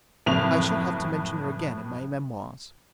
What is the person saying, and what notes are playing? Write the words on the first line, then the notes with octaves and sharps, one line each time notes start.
I shall have to mention her again in my Memoirs.
F#1 F2 A2 F7